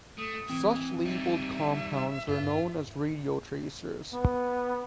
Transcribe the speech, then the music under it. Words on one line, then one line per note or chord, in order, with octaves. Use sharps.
Such labelled compounds are known as radiotracers.
A3 D#6
E3 C4
G3 D#4 E5
G2 F4
B3